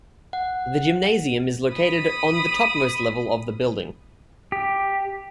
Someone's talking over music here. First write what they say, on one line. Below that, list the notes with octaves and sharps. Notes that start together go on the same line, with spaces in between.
The gymnasium is located on the topmost level of the building.
F#5
B5 D#6
G4